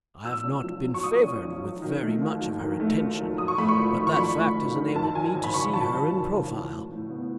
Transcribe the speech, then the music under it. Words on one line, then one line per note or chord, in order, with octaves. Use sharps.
I have not been favoured with very much of her attention, but that fact has enabled me to see her in profile.
B2 E6
C#4
B1
F#3
C#6
B2 D#6
C#4
B1
F#3
D#3
A3
D#2
F#3
D#3
A3
D#2
F#3
F#2 D#6
C#6
A3 B5
C#6
G#1
D#3
C#6
F#2 B5
A3
G#1
D#3
F#2 A5
F#3 G#5
G#1
B5
C#3 C#6
F#2 A5
F#3
G#1
C#3
E3
A2
A2
B3